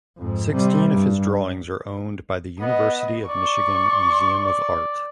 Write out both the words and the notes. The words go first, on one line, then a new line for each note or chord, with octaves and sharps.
Sixteen of his drawings are owned by the University of Michigan Museum of Art.
F2 G#2
C3 G3
G2
B3 D#5
D5 C#6
D5